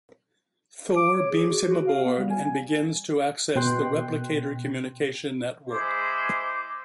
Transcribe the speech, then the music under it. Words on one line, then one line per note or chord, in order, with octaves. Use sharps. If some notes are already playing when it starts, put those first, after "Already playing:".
Thor beams him aboard, and begins to access the Replicator communication network.
D6
C#5
G#4
F#4
F#4
F5
B3
G3
G#5
B2 G5 C6 F#6
G#3 E4 C5 D6